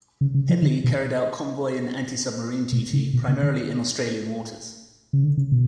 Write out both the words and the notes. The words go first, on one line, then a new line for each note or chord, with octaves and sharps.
"Henley" carried out convoy and antisubmarine duty, primarily in Australian waters.
C#3
C#3
F3
D3
B2
B2
C#3
B2
C#3
D3
C#3
D3
C#3
B2